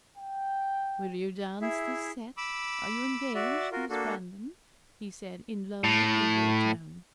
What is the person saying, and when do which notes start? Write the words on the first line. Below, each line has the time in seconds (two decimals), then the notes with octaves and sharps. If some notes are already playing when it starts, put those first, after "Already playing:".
'Will you dance this set--are you engaged, Miss Brandon?' he said, in low eager tones.
0.17 G5
1.61 E4 G#4 E5
2.37 B5 D6 E6
3.35 F#4 D5 E5
3.72 F4 F#4 A#4
3.90 A#3 D4 F#4 A4
5.84 A2